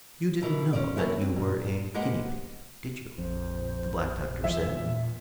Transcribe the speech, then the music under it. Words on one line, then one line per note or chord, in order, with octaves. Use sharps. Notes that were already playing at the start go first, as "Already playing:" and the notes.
"You didn't know that you were a guinea pig, did you?" the Black Doctor said.
B2 D#3 E3
C#4 F4 C5 D5
C3 E3 F#3 A#3 C#4 E4
C4
A#2
G#3 A#3 G4 B4 C5 F#5
A#1 F2 C5
E1 E2 F3 E5
D#2
A#2